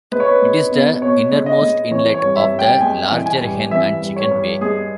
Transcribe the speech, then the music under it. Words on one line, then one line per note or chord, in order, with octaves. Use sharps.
It is the innermost inlet of the larger Hen and Chicken Bay.
G#3 B4
C#5
B4
G#3
B2
B2 C#5
G#3
D#5
G#3
E3 C#5
C#5
G2
E5
G2
G5
G#3 G#5
E3
G#5
G2
E3 E5
G2
C#5
G2
G#3 G#4